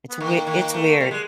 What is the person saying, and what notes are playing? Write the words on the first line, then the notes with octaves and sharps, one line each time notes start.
It's wei it's weird.
B3
D#3 A#3
D#3
A3
G3
G#3